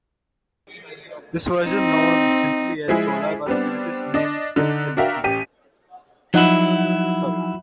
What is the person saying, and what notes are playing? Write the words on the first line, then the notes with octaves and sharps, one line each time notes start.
This version, known simply as Solar, was a physicist named Phil Seleski.
C4 D#4
F3 G#3 E4 G#4
G3 B3 C4 D4
D4 D#5
D3 D4 D#4
D4 F#4 A#4 E5 F5 G5
A1 G4 B6 D#7
F3 F#3 D#4 E4 F#5